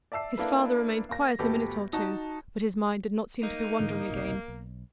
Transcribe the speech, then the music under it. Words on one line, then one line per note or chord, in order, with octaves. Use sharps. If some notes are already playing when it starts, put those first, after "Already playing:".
His father remained quiet a minute or two, but his mind did not seem to be wandering again.
D5 E5 A5 E6 C7
A#3 D4 E4 A4 B4
A#3 A#6
G1 D2 G4 A4 B4
D#4 F#4 A5
A#3 D#4
G#2 D3 E3
F#1 B1 C3
B1